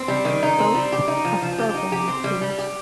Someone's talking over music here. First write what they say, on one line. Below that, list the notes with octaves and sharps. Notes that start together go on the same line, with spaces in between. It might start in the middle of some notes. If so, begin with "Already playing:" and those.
Both are programming tools.
Already playing: C4
G3
D#3
D#4
C4
G3
G4
D#4
F3
F3
G4
D#4
G4
C4
G3
G3
G4